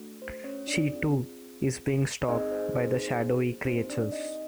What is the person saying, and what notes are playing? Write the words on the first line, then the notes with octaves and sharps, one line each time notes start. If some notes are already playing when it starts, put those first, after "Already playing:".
She, too, is being stalked by the shadowy creatures.
Already playing: A3 D4 F#4 A4
C5
C#4 C#5
D4 D5
C4 F4 G#4
C4 D#4 G#4 D#5
C5
C5
C4 D#4 G4 C5
D4 D5
D#4 D#5